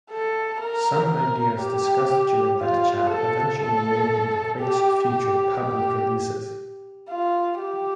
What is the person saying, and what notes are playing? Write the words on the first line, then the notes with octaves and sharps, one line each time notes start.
Some ideas discussed during that chat eventually made it into Quake's future public releases.
A4
A#4
A#4
G4
F4
A4
A4
G4
G4
G4
F4
G4